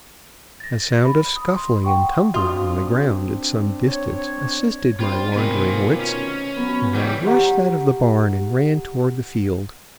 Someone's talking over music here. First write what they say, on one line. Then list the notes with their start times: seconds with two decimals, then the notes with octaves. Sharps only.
A sound of scuffling and tumbling on the ground at some distance assisted my wandering wits, and I rushed out of the barn and ran toward the field.
0.60 A6 A#6
1.05 B5
1.36 D#6
1.56 C6
1.84 F#5 G5 C#6
2.34 C4 D4 F4 F#4 D#6
3.87 C#5
5.00 G3 C4 D4 F4
5.34 B2 D#3 C4 F4 G#5
6.00 C#4
6.56 F#3 B3
6.95 E3 G3 D#4 C#5
7.26 G4 F#5 A#5